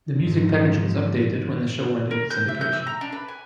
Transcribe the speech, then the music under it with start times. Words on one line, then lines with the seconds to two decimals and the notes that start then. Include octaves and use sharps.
The music package was updated when the show went into syndication.
0.17 F2 G#2
2.11 A#4
2.31 G6
2.48 E5
2.61 G6
2.73 E6
2.87 A#5
3.01 D4
3.12 B4
3.28 G#5